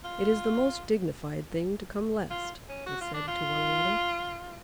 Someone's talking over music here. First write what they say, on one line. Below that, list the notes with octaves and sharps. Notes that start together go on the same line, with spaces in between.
"It is the most dignified thing to come last!" they said to one another.
F4
F4
C#4
F#4
F4
D4
F4